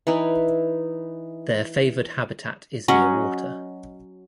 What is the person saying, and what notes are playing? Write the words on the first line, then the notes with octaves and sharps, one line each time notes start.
Their favoured habitat is near water.
E3 D#4 E4
F#3 C#4 D#5 F#5